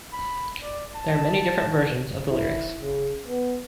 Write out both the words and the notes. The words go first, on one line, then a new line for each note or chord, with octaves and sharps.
There are many different versions of the lyrics.
B5
D5
A5
E4
C#3
B3